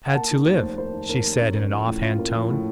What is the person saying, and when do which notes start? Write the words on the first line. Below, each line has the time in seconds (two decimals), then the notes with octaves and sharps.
"I had to live," she said in an off-hand tone.
0.06 F#5
0.15 A#3 A5
0.31 D#3
0.46 D#2
0.57 F1 C5
0.78 A#3 C5
0.93 D#3
1.09 D#2 A#4
1.24 F1
1.40 C#4
1.56 A#3
1.72 F3
1.87 A2
2.03 C#4 F4
2.19 A#3
2.35 F3
2.50 A2